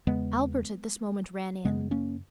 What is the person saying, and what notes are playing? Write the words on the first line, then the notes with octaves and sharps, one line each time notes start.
Albert at this moment ran in.
E2 C#3 G#3 B3
F#2 C#3 G#3 B3
A#3 C#4